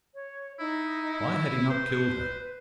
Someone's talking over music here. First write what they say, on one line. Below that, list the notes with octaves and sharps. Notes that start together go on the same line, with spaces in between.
Why had he not killed her?
C#5
D#4 E4
B4 C5